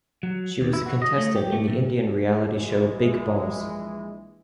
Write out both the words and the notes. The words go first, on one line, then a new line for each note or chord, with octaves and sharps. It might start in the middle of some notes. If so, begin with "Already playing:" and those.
She was a contestant in the Indian reality show Bigg Boss.
F#3
D#2
E4
F#4
D#5
A3
G4
A3
A#2
A#1 E3 G#3